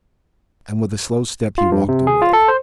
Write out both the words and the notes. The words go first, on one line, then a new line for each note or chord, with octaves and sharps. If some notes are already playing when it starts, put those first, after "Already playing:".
And with a slow step he walked away.
F4
G2
C3
G#4
F4
A4
C5